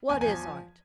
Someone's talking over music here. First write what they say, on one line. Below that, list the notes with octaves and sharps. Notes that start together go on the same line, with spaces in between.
What is Art?'
E2 G#5
G#5
F3
G#5